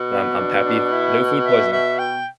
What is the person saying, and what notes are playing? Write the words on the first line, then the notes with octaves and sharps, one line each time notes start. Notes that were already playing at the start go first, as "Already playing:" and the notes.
I'm I'm happy, no food poisoning.
Already playing: B2
B3
D4
D4
E4
E5
E5
G5